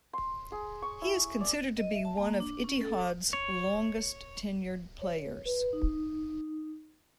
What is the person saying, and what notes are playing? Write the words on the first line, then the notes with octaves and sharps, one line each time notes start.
He is considered to be one of Ittihad's longest tenured players.
C6
G#4
C#6
E4
D5
D#5
E5
A5
A#3
D4
C#4
A4
D6
C#5
C#5
B4
D#4